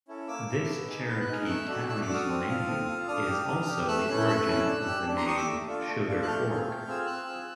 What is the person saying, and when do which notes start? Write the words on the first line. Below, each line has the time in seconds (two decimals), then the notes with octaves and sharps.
This Cherokee town's name is also the origin of the name "Sugar Fork".
0.08 C#4 E4 A4
0.28 A#3 D6 E6
0.48 C#4 E4 A4
0.68 B3
0.88 D#4 G#4
1.08 B3 G6
1.21 F#6
1.28 D#4 G#4 F6
1.45 A3 E6 F#6
1.67 D4 F#4 A4
1.88 A3 E6 F#6
2.01 D6 E6
2.08 D4 F#4 A4
2.14 D#6 F6
2.28 C4
2.48 F4 A4
2.67 C4
2.88 F4 A4
3.07 D4 D#6 F6
3.27 G4
3.48 D4
3.67 G4
3.87 A3 E6 F#6
4.08 C#4 E4 A4
4.18 G6
4.27 A3 E6 F#6
4.47 C#4 E4 A4
4.67 D4
4.87 G4
5.07 D4
5.17 A#5 C6
5.27 G4 C#6 D#6
5.37 D6 E6
5.47 A3
5.67 D4 F4 A4
5.87 A3
6.06 D4 F4 A4
6.23 F#6
6.26 A3 F6 G6
6.47 C4 F4 G#4
6.67 A3
6.87 C4 F4 G#4 E6
6.98 F6
7.07 C4 E6 F#6
7.27 F4 G#4